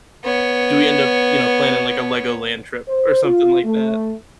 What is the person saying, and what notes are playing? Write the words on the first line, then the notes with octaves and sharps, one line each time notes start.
do we end up, you know, planning, like, a LEGOLAND trip or something like that?
B3 C#5
C5
F4
A3